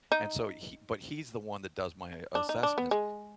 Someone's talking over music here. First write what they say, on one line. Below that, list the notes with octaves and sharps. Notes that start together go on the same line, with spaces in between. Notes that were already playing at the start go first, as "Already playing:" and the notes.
and so he but he's the one that does my assessments,
D#4
D4
D#4
D4
B3
G#3